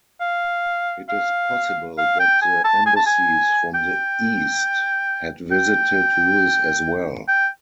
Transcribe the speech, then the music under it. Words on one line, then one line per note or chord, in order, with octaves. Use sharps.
It is possible that the embassies from the east had visited Louis as well.
F5
F5
F5
G5
G#5
A5
G#5
A5
G#5
G5
G5
G5